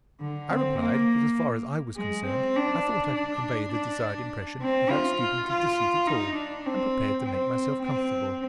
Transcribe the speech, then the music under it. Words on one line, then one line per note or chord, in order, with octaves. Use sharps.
I replied that as far as I was concerned, I thought I could convey the desired impression without stooping to deceit at all, and prepared to make myself comfortable.
D3
C4
A#3
G#3
C4
D4
D4
D4
C4
F4
F4
D#4
D4
C4
C4
C4